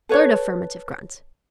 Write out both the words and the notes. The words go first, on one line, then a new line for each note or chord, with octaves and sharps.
Third affirmative grunt.
A4 B4 C#5